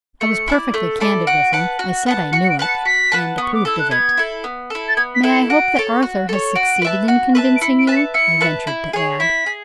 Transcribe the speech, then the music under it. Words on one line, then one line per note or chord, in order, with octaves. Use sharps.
I was perfectly candid with him--I said I knew it, and approved of it. "May I hope that Arthur has succeeded in convincing you?" I ventured to add.
A3 C#7
E4 A4 D5
A3
E4 A4 D5
F#4 D7
B4 F#5 A5
F#4
B4 F#5 A5
F#4 C#7
C#7
D7
B4 F#5 A5
C#7
F#4 B6
B4 F#5 A5
B3 C#6
D6
E4 A4 E6
F#6
B3 G#6
E4 A4
B3
E4 A4
A6
B3 G#6
B6
E4 A4
C#7
F#4 D7
A4 C#5
F#4
A4 C#5
F#4 D7
B4 E5 A5
F#4
B4 E5 A5
D7
E4 C#7
D7
B4 E5 A5 B6
C#7
E4 C#7
B4 E5 A5
E4
G#4 C#5
E4 B6
G#4